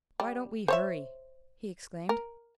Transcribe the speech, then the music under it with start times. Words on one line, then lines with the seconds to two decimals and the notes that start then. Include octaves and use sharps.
"Why don't we hurry!" he exclaimed.
0.20 G3
0.68 C5 C#5 E5
2.09 A#4